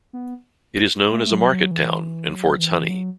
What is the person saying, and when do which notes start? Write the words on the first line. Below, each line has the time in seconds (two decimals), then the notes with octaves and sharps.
It is known as a market town and for its honey.
0.13 B3
1.12 A3
1.27 A3
1.31 F#3
1.52 F#3
1.71 E3
2.30 F#3
2.59 E3
2.89 F#3